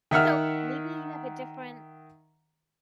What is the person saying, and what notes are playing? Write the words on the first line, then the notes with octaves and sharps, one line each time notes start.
So, maybe you have a different,
D#3 E5 F#5 F6